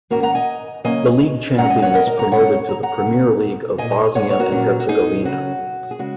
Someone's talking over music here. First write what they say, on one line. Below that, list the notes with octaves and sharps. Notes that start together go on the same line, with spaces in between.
The league champion is promoted to the Premier League of Bosnia and Herzegovina.
G#2 D#3 A#3 C#4 F#4 A#4
F#5 A#5
D#5 G#5
C#3 F#3 A#3 C#4 D#5 G#5
G#2 G#3 C#4 F#5 A#5
D#5 G#5
C#5 F#5
A#4 D#5
A#4 D#5
F#5 A#5
G#2 G#3 C#4 C#5 F#5
A#5
F#5 A#5
C#3 A#3 C#4
A#2 F#3 A#3 D#5 G#5
C#5 F#5
C#5
F#4 A#4
A#2 F#3 C#4
F#4
D#4 G#4
C#3 F#3 C#4 F#4
G#4
C#3 G#3 C#4 F#4